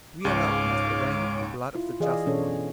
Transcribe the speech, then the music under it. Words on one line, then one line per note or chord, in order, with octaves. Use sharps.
We alone must avenge the blood of the just one....
C#2 G#2 C#5 F5 D6 D7
E4 F4
E3 G#4 D5 D#5 F5
B2 E3 C#4 D4 A4 C#5